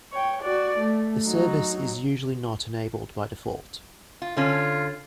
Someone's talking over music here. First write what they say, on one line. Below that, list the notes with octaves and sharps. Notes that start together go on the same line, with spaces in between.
The service is usually not enabled by default.
C#5 G5
F#4 D5
A3
F#3 D#4
F4
D3 C#4 F4